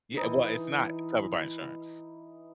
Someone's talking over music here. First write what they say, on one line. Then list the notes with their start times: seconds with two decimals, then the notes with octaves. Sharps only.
Yeah. Well, it's not covered by insurance.
0.17 E3 D#4